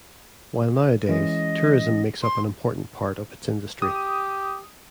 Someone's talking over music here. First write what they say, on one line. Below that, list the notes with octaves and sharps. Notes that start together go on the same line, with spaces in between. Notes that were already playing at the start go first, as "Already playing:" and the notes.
While nowadays, tourism makes up an important part of its industry.
E3 G#3 C#4 D#5
C6
G4 D#6